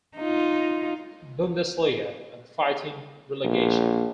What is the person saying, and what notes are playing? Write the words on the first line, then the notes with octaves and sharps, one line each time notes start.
Bundesliga and fighting relegation.
D#4 F4
A#1